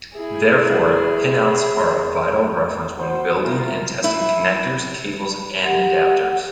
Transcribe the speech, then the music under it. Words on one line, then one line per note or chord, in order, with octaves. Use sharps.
Therefore, pinouts are a vital reference when building and testing connectors, cables, and adapters.
E4 G#4
F#4 C5
E4 F4 A#4
E4
G4 F#5